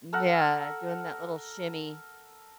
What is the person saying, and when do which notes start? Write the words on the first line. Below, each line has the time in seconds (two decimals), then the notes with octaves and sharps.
yeah, doing that little shimmy.
0.13 A4 A#4 F#5